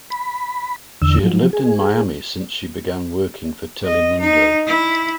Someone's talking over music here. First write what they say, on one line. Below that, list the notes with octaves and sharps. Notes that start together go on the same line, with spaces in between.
She had lived in Miami since she began working for Telemundo.
B5
E2 D3 E6
F3 F#3
G#4
D#5
D#4
E4